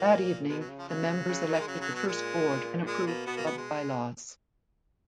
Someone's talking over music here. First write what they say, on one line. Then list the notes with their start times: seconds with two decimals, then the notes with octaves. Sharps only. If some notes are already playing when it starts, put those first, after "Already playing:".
That evening the members elected the first board and approved club bylaws.
Already playing: A#2 A#3
0.49 B2 G#3
0.60 F#3
0.68 C#3
0.78 F3
0.89 C#3 F#3
1.29 C#3
1.48 D#3 A#3
1.60 G#3
1.68 C#3 F#3
1.81 F#3
1.88 B2
1.95 F#3
2.07 A#2 G#3
2.82 G#2
2.86 A#2 G#3
3.06 B2 A#3
3.26 B2 B3
3.36 A#3
3.46 B3
3.57 G#3